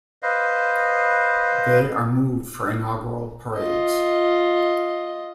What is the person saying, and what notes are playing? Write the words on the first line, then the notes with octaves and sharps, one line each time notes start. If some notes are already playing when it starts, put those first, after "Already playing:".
They are moved for inaugural parades.
B4 C5 D#5 F5
F4 D#5